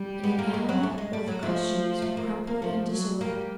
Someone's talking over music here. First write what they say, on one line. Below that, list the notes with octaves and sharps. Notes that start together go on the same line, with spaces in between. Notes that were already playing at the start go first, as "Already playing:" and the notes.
In an hour, all the costumes were crumpled and disordered.
Already playing: G3
B3
A#3
G#3
F#3
A3
G#3
G3
F#3
F3 A3
A3
A#3
A#3
F3 A3
F#3
G3 A#3